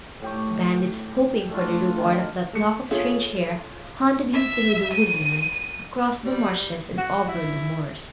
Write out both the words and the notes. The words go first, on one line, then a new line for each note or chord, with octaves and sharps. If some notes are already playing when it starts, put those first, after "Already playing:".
Bandits, hoping for the reward of that lock of strange hair, hunted him through the woodland, across the marshes, and over the moors.
A2 G4 C#6
A3 D4 F4
D#3
A3 C#7
C#4 F4 G#4 A4 E5
E5
D#7
G3
F#4
E4